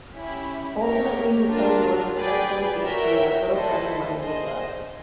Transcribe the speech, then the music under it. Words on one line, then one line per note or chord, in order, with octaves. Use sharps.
Ultimately, his son Lewis successfully ate through what little family money was left.
C#4 E4 G4
G4 A#4 C#5
D4 F4 A#4
G#4 B4 D5 G5
F#4 A#4 C#5 E5 G5
E4 A4 C5 D#5
G#4 C5 D#5